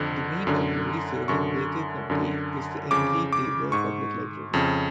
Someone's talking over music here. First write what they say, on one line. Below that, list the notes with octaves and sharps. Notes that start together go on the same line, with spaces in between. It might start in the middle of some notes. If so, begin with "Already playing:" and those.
The main library serving Baker County is the Emily Taber Public Library.
Already playing: F2 D3
F#2 D3
F#2 D3 C#6
F#2 D3
F2 C#3 D6
D6
G#2 C#6
F2 C#3